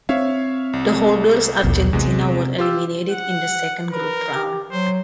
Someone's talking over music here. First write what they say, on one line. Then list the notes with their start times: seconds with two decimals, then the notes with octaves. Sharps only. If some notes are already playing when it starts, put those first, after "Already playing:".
The holders Argentina were eliminated in the second group round.
0.09 C4 C#5 E5 F5
0.73 C2
1.64 A#1 D#2 B2
1.93 E2 C3 G#3
2.58 F4 G4 E6
3.10 F#5
3.91 A#4 B4
4.34 G4
4.71 F#3 C5